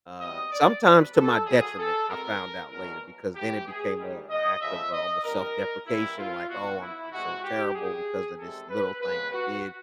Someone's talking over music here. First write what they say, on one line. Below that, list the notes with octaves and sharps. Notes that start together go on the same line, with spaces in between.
uh, sometimes to my detriment, I found out later, because then it became a a act of, uh, almost self-deprecation, like, "Oh, I'm I'm so terrible because of this little thing I did."
B2 G3 C4 D#5
D5
E2 B2 G3 C4 B4
A4
A2 F#3 A#3 G#4
A4
B2 G#3 C4 A#4
E2 B2 F#3 A#4
A2 E3 A3 G4
G#4
G#2 D#3 G3
D#5
C#3 F3 A3 E5
D#5
F2 D3 G3 C4 A#4
C#3 E3 G3 A#3 E4
F4
B2 F#3 B3 F#4
E4
B2 G#3 C4 F#4
G4
A#2 G3 A#3 G#4
E2 C3 D#3 G#3 A4
B4
C#3 F3 G#3 B3 B4
F#4